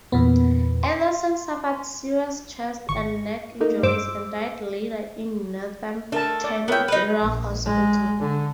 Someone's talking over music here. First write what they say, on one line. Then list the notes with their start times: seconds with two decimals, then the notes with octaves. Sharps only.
Anderson suffered serious chest and neck injuries and died later in Northampton General Hospital.
0.12 E2 A#2 B3
0.83 C6
2.88 G#1 C#6
3.60 A3 A#3 D#4
3.83 G2 C5 D6 E6
6.12 A3 D4 A#4 A5
6.44 D5
6.68 B3 A#4 C#5 E5 G5
6.88 D#4 B4
7.21 A#1
7.66 G#3
8.20 D3